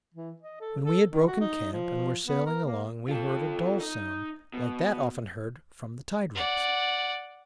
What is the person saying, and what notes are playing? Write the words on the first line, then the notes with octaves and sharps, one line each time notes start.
When we had broken camp and were sailing along, we heard a dull sound like that often heard from the tide rips.
E3
D#5
A4
A4
D#3
F#4
D#4
F3
B3
A#4
A#3
F4 A4
D#4
B2
D5 F#5